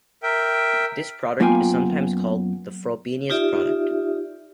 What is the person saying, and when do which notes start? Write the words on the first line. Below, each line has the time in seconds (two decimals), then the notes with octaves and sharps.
This product is sometimes called the "Frobenius product".
0.23 A#4 E5 G5
1.40 F#2 A#3 B3 F4 G5 G#5
3.30 D#4 F4 G4 D5 E5